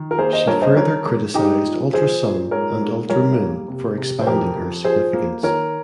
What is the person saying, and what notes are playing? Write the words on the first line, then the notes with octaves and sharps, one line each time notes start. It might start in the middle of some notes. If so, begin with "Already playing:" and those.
She further criticized "Ultra Sun" and "Ultra Moon" for expanding her significance.
Already playing: D#3
A#4
A#3 G#4 C5
C5 D#5
G2 A#4 C#5
C5 D#5
D#3 A#4 C#5
G#3
G#3 D#4 G4
A#2
F3 G#4 C5
A#2
G#2 A#4 C#5
G#2
G3 A#4 C#5
A#3
C3
C3
C5
F2 G4 A#4
F2
F3 G#4 C5
A#3
D#3 A#4 C#5